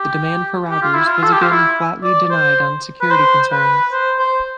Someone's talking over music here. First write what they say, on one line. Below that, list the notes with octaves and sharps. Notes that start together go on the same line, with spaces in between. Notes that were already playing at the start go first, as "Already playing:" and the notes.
The demand for routers was again flatly denied on security concerns.
Already playing: G4
G4
F4
E4
F4
A4
G4
F4
E4
D5
C5
B4
C5
B4
C5
C5